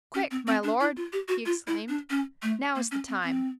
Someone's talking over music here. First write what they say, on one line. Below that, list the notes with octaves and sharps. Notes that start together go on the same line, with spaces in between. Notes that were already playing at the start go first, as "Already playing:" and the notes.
"Quick, my lord," he exclaimed, "now is the time."
C#4
C4
C4
D4
E4
F4
G4
F#4
F4
E4
D4
C#4
A3
A#3
C#4
C4
C4